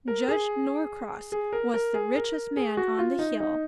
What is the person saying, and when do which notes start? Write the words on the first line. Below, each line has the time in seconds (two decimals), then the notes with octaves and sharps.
Judge Norcross was the richest man on the Hill.
0.08 A#4
0.28 G#4
1.32 G#4
1.53 A#4
1.74 A#4
1.94 G#4
2.15 A#4
2.57 G#4
2.77 F#4
2.99 F4
3.19 D#4
3.40 D#4